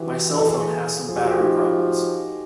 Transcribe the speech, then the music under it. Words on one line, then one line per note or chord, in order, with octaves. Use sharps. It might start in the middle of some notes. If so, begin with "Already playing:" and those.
My cellphone has some battery problems.
Already playing: E3 F#4 G4
A4
G#4
F3 G#4
G4
F#4
G4
D#4